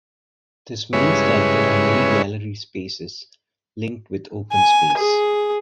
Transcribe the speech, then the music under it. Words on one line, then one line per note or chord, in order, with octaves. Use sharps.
This means that there are many gallery spaces, linked with open space.
G2 C#3 G#3 E4 B4 C#5
G#5
G#4